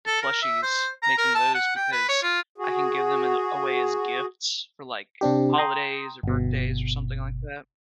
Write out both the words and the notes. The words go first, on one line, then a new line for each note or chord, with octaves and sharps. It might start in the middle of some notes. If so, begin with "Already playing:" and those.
the plushies, making those, because I can give them a away as gifts for, like, holidays, or birthdays, or something like that.
A4
A#4
E5
C5
A#5
A#4
A5
F#5
G5
B4
C#5
F4
F#4 G#4
C3 C4 D4 G4
G5 A#5 C6 D#6
G1 B2